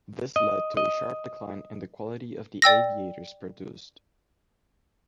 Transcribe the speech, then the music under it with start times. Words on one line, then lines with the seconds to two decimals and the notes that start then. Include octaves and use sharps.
This led to a sharp decline in the quality of the aviators produced.
0.36 D#5
0.77 D#5
2.62 D5 G5 E6 A#6